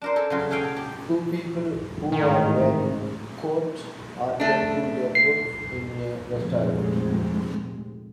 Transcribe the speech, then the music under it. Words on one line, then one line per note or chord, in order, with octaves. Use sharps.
Two people who are wearing coat are taking their food in a restaurant.
D4 A#4 C5
G#4 A4
C#3 F#3 F4
F#4 G#4 A4 F5 G5 G#5
A4
G4
A1 G#2 D#3
A3 D4
C7
F1 D2 A#2 G#3 C4